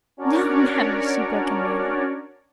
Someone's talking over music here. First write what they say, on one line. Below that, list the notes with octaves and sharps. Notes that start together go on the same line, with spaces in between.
"No, no!" she broke in merrily.
C#4 D4 F#4 A#4 C#5 D5